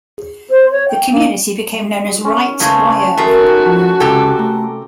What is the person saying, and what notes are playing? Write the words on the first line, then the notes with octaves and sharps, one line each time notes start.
The community became known as Wright, Wyoming.
C5
C#5
G5
A#3
C#4
C#3 E3 G#3 A3
G#3 A3 F#4 A#4
F3 A5
C#2 C3 G4 A4
A3 A#5